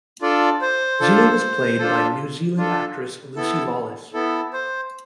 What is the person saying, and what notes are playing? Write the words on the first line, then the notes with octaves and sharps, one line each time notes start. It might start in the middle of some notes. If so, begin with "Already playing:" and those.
Xena was played by New Zealand actress Lucy Lawless.
D4 F4 A4 D5
C5
D4 F4 A4
D4 F4 A4
D4 F4 A4
B3 E4 A4
B3 E4 A4
C5